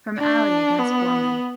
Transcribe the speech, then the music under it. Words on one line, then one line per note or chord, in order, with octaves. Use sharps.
From Ali against Foreman.
D4
B3